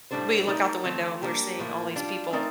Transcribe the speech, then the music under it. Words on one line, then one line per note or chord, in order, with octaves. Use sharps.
we look out the window and we're seeing all these people
A2 G3 D4 A4 C5
A3 D#4 A#4 D5
D#3 A3 C4
G3 A#3 D4 G4
A2 F3 A#3
G3 D4 F4
A3 C4 D#4 A#4 D5